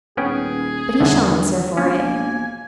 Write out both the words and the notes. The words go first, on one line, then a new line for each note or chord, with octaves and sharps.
'But he shall answer for it.
D#1 B3 C#4 G#4 G5
E2 G2 D3 A3
E1 A#3 C#4 G#5